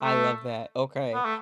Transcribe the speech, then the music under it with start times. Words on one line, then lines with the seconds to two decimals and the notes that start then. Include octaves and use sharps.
I love that, okay.
0.03 A3
1.14 B3
1.25 A3